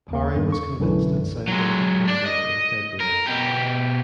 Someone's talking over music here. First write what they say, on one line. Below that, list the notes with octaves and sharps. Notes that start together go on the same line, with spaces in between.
Parry was convinced and signed them to Polydor in February.
D#2 A#3
E2 G2 D#3
C#6
B1 F#2 D3 E3
F#3 G#3
D4 D5
D#5
A#4
B2 G4